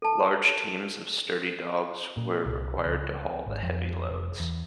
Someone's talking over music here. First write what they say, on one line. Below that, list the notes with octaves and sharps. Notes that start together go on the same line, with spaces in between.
Large teams of sturdy dogs were required to haul the heavy loads.
A4 A5
A#2
C2
C#2
G#1
F2
F1
E2